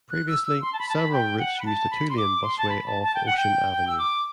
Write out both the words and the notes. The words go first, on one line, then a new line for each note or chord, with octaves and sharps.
Previously, several routes used a two-lane busway off Ocean Avenue.
F#6
E6
E6
C6
A5
B5
A5
B5
G5
F#5
B5
A5
B5
C6
D6
C6
A5
B5
A5
A5
G5
F#5
G5
G5
E6
D6